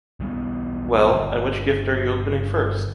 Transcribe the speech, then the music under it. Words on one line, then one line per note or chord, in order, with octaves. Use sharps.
Well, and which gift are you opening first?
B1 E3 G3 B3
G1